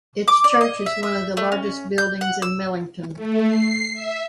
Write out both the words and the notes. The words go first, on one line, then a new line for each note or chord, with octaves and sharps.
Its church is one of the largest buildings in Millington.
D6
D5
D#5
E5
E5
A3
C#4
G6
F#5
E6
A3
C7
E5